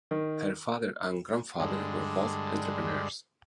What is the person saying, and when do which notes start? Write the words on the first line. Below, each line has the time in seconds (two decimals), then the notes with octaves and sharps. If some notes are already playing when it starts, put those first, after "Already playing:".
Her father and grandfather were both entrepreneurs.
0.11 D#3
1.60 G2 D3 G#3